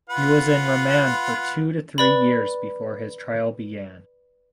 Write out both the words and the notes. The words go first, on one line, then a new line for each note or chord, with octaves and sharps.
He was in remand for two to three years before his trial began.
F4 B4 F#5
B4 D5 B5